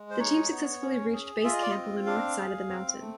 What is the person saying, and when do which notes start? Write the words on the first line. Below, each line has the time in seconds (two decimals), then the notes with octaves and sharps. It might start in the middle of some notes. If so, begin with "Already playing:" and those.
The team successfully reached Base Camp on the north side of the mountain.
Already playing: G#3
0.10 C5
0.19 D#4 C#5
0.51 B3
0.82 C#4
1.13 G#4
1.44 F4 E5
1.53 D#5
1.62 D5
1.71 C4 D#5
2.06 D4 F5
2.38 G#4
2.69 C4
3.00 A3